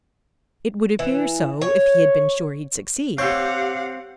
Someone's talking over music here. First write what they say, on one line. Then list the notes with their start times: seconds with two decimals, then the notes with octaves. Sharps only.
"It would appear so if he had been sure he'd succeed."
0.99 E3
1.62 C#5
3.18 C4 G4 C#5 F5 F#5 E6 G6